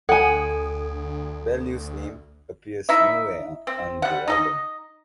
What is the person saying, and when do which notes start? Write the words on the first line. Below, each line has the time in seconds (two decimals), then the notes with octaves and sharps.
Ballew's name appears nowhere on the album.
0.09 D2 A4 F#5 G#5
2.89 D#4 E4 E5
3.67 C4
4.02 G3 F#5
4.28 D#4 A4 D#5